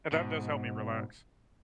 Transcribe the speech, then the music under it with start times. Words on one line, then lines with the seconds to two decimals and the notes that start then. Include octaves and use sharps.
and that does help me relax.
0.12 G#2 B2